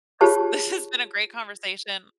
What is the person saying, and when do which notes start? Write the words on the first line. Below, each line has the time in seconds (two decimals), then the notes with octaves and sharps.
This this has been a great conversation.
0.21 F4 G4 G#4 C#5 A5 C#6